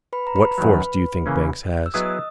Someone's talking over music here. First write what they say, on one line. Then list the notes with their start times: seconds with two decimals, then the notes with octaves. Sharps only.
"What force do you think Banks has?"
0.13 B4 B5
0.27 A#5
0.36 B4 B5
0.58 F#2 D#3 F#3
1.26 C#3 E3 A#3 C#4
1.86 E6
1.94 F#3 B3 E4 G#4 B4 D#5 D#6